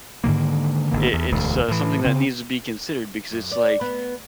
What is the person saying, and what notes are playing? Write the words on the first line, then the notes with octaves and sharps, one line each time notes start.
I it's, uh, something that needs to be considered because it's like,
G#2 D3 D#3 A#3
G#1 D3 A#3
E2
E1 D2
A2 E3
C#3 C4
F#2
D5
B3